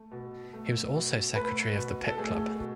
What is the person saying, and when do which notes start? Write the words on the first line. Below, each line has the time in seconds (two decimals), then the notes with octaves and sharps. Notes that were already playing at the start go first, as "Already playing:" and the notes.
He was also secretary of the Pitt Club.
Already playing: A3
0.11 B2
0.53 A3
0.95 B2
1.35 A3 B4
1.76 B2
2.07 A4
2.18 A3 G#4
2.59 B2